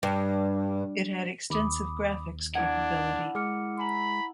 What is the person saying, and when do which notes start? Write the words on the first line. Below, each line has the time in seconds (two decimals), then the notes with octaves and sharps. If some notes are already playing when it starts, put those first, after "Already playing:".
It had extensive graphics capability.
0.03 G2
1.50 D#2 B5 D6 D#6
2.55 D4 E4 A#4 F#5 G#6 D7
3.35 G#3 D6 F6 C#7
3.79 G#5 A#5 B5 F#7